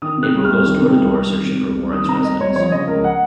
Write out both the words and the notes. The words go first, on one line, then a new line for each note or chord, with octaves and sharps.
April goes door to door searching for Warren's residence.
D#3 D#6
C3
F#6
C2
F6
C2
D#3
C3
C2
C2
D#3
C3
C2
C2
D#3 D#6
C3 A#5
C2 D#5
C2 C#5
F3 C#5
C#3 D#5
C#2 A#4
F#5